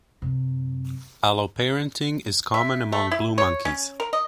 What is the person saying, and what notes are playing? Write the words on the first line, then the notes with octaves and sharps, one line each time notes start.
Alloparenting is common among blue monkeys.
F#2 C3
E5
A3
E4
C#5
C#4
A#4
D#5